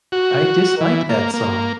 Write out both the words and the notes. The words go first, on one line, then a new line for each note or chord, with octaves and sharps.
I dislike that song.
F#4
E3
A#3
A#3